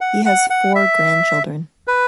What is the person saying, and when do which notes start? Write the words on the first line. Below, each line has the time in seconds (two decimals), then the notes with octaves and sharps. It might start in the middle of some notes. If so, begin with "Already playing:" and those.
He has four grandchildren.
0.01 F#5
0.26 F#5
0.50 F#5
0.75 E5
1.87 B4